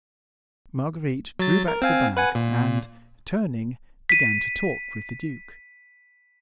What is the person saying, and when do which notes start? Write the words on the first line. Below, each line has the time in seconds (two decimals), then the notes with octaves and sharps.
Marguerite drew back the bag, and, turning, began to talk with the duke.
1.39 F#3 A6
1.68 A#4
1.82 C4 F5 G#5
2.17 B4 F#5 G#5
2.35 A#2
4.09 B6 D#7